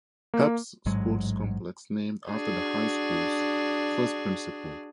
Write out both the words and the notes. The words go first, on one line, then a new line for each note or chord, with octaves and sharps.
Epps Sports Complex, named after the high school's first principal.
A#3
A1 G#2 F#3 G#3
D4 F#4 G#4